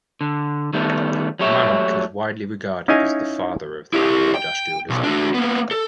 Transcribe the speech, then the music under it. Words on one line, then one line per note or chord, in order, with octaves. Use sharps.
Manock is widely regarded as the "father" of the Apple Industrial Design Group.
D3
D#3 G3 A3 B3
F#3 A3 G4 C#5 E5
C#4 D#4 E4 D#5 F5 G#5
E4 G4
G5
B1
D4 F#4
A#3 B3
A4